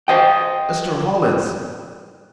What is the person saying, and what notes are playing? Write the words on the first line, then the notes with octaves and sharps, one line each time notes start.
"Mr. Hollins!"
C5 D#5 G5